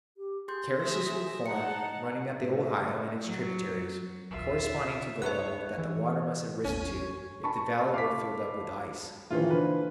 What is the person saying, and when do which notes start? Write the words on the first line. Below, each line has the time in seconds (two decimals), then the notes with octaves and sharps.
Terraces were formed running up the Ohio and its tributaries corresponding to the level that the water must have risen to if the valley were filled up with ice.
0.17 G4
0.48 G4 G#4 C6 G6
0.82 A3 E5 A#6
1.46 D#4 F#5 A5 C#7
2.40 A2
3.23 F#3
4.31 A#1 D#2 F4 E5
5.22 D2 A4 B4 C#5 E5 F#5 F#6
5.78 E3
6.64 A1 E2 C#4
7.44 A5 B5 C#6
7.94 F5 D6 B6
9.31 A#1 D#3 E3 F4
9.51 D3 B4 C5